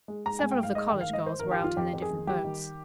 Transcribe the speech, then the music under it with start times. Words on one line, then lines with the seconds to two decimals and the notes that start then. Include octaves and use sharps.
Several of the college girls were out in their different boats.
0.08 G#3
0.25 G#3 A#5
0.39 G#2 G#5
0.51 G5
0.59 G#2 F5
0.75 G#3 D#5
0.89 D#3 G5
1.01 F5
1.09 G#2 D#5
1.26 D#3 C5
1.39 D#3 A#4
1.51 G4
1.59 F2 F4
1.77 F2 G4
1.93 F2
2.02 G#4
2.10 D#3
2.27 G3 G4
2.44 D#3